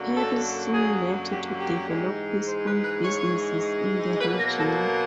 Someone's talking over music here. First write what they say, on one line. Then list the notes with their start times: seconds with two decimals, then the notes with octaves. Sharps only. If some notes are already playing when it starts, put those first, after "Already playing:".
Harris soon left to develop his own businesses in the region.
Already playing: F#2 D3 F#3 A#3
0.15 A4
0.73 G#4
1.31 G4
1.60 G4
1.88 G#2 E3 G#3
2.46 C5
2.65 B4
2.84 B4
3.04 C#5
4.19 B2 F#3 A#3 B4
4.38 A#4
4.58 A4